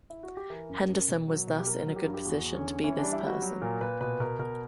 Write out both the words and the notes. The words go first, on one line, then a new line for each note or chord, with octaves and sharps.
Henderson was thus in a good position to be this person.
E4
F#4
G4
E3 A#4
F#2
F#2
B2
F#3
B2
G4
F#3 A#4
F#3
G4
G2 A#4
G4
E2 F#4
E2
C#4
D3
E3 C#4
G3 D4
E4
G3 F#4
F#3
A#2 A#4
A#2 B4
B2 B4
B2 A#4
B2 A#4